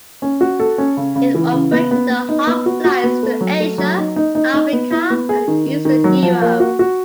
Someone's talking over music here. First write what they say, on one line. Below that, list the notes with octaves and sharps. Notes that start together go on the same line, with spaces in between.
It operated ad hoc flights to Asia, Africa and eastern Europe.
C#4
F#4
A4
C#4
C#3
C#3
E3
C#3
B3
B3
B3
D#4
B3
F#4
F#4
B3
A3
F#3
A3
F#3
D#4
D#4
D#4
D#4
B3
E4
B3
G#4
D#3
D#3
D#3
F#3
F3
A#3
F#4
F#4